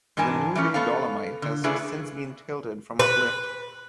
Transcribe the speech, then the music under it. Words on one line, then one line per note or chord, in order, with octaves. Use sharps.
The Noonday Dolomite has since been tilted from uplift.
G#2 E3 D4 A#4 G#5 A5
E3 F#3 A3 C#4
B3 A4 C#5 F5
D3
C#3 A3 D4 E4 G#4 B4
B4